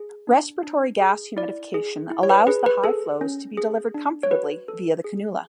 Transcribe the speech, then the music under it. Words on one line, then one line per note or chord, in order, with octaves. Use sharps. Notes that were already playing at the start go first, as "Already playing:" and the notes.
Respiratory gas humidification allows the high flows to be delivered comfortably via the cannula.
Already playing: G#4
D4
D4
G#4
E4 D5
G#4
E4
C#5
B4
G#4 B4
B4
G#4 A4
C#4
G#4
D4
C#5
F#4 B4
A4
G#4